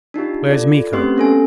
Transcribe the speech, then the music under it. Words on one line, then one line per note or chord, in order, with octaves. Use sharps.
"Where is Miko?"
D4 D#4 F4 G4
F4 A4 D5
A3 C4 C#4 G4 B4 C6
B3 C#4 A4 G#5